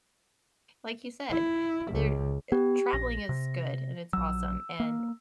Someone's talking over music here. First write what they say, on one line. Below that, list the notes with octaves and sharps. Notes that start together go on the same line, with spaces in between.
like you said, there eh, traveling is good and it's awesome, and
E4
C#2
B3 G4
A#1 A#6
C3
A#1 F#3 E6
A#3